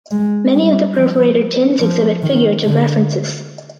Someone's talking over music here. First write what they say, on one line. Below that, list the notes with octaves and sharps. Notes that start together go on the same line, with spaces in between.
Many of the perforated tins exhibit figurative references.
G#3
G3
F3
F3
D#3
D3